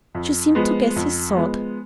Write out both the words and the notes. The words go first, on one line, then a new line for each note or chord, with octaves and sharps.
She seemed to guess his thought.
F2
F3 G#3 B3
F2
F3 G#3 B3